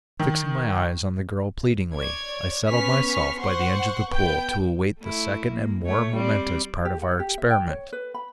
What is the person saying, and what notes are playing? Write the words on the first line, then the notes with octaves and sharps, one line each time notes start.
Fixing my eyes on the girl pleadingly, I settled myself by the edge of the pool to await the second and more momentous part of our experiment.
D#3
C#5 D5 G#6
B3 C#4 B4 C#6 F6 B6
C5 F#5 C6 C#6
B3 B4 G5 G6
A3 E4
A#3
A3 C#5
G3 C4 D5
G4
F#5
G4
E5
G5
C#5
B4
B5